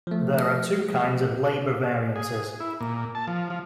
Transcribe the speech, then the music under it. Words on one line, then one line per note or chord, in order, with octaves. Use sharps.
There are two kinds of labour variances.
F3 A3
G#4
E4
A#2
A5
F3
F3